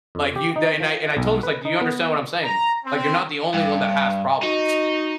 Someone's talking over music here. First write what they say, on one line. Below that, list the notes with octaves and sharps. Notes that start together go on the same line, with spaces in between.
Like, you then I and I told him, I was like, "Do you understand what I'm saying now? Like, you're not the only one that has problems."
F2
G4
D#4
F3
B1
B4
D#4
B3
A#5
C4
G2
D#4 F#4